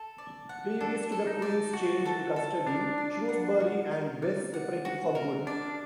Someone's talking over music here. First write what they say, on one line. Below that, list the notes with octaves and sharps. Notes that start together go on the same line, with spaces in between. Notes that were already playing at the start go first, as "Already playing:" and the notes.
Previous to the Queen's change in custody, Shrewsbury and Bess separated for good.
Already playing: A4
D5
F#5
D4 A4
A4
D#4
D5
F#4 F#5
A4
A4
D4 A#4
D5
F#5
F#4
A#4
D5
F#5
F#4
A#4
D4 D5